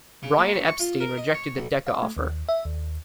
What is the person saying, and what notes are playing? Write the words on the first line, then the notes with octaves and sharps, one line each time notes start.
Brian Epstein rejected the Decca offer.
C#3
A#3
C#5
C#6
F4
A#4
D#5
C#5
B1
F5
A3
D#2
E5
D#2